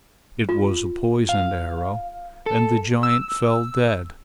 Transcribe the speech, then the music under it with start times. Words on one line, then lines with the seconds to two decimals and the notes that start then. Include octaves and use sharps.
It was a poisoned arrow, and the giant fell dead.
0.49 F4
1.29 F5
2.46 A4
3.03 E6